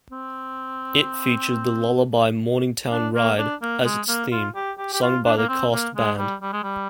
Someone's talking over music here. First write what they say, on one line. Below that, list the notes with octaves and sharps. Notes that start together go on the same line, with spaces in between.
It featured the lullaby "Morningtown Ride" as its theme, sung by the cast band.
C4
D4
A#3
D4
A#3
G#3
A#3
F4
G4
G4
G4
F4
D4
A#3
C4
A#3
G#3
G3
G3
G#3
G3